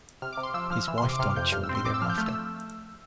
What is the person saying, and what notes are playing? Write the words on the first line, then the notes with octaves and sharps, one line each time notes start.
His wife died shortly thereafter.
C3 F6
C3 D6
C6
F3 E6
F3 F6
E3 E6
C6
C3
D6
C3 F6
F2 G6
G2 F6
E6
C4
C6
C4 D6
E6
F3 F6
G6
A3 F6
E6